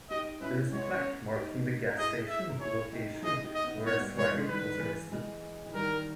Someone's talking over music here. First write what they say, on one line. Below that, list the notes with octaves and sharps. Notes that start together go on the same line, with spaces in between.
There is a plaque marking the gas station location where Swaggart was arrested.
D#4 G4 D#5
C#4 E4 B4
G#3 B3 C#5
D#4
A#3 C#4
D#4 G4
A#4
E4 G#4 D#5
E5
A#4
E4 G#4 C#5
D#4 G4
A#4
E4 G#4 D#5
D#4 G4
D#5
B3 D#4
E4
B3 D#4 C#5
B3
G3 A#3
E3 G#3 C#5
E3 G#3
D#3 G3 B4
E3
E3 G#3
E3
D#3 G3 A#4